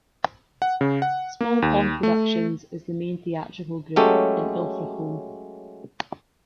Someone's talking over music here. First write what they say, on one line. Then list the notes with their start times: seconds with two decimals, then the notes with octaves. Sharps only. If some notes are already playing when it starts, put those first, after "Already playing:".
Small Pond Productions is the main theatrical group in Ilfracombe.
0.62 F#5
0.81 C#3
1.02 F#5
1.41 A#3
1.62 D#2
2.03 A3
3.96 F#3 G#3 A3 C#4 G4 A4